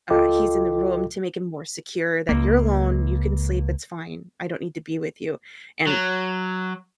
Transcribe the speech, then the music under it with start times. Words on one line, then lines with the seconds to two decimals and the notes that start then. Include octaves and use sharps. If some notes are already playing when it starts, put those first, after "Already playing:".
uh, he's in the room to make him more secure that, "You're alone, you can sleep, it's fine, I don't need to be with you," and,
0.10 C#2 F4 A4 D#5 G5 D6
2.29 C#2 A#3
5.87 F#3